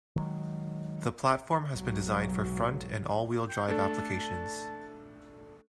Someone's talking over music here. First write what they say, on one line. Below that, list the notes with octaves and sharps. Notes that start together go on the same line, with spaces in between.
The platform has been designed for front and all-wheel drive applications.
D#3 F#3 G#3
B1 G#2 F#3
G5
A3 D4 A4 A5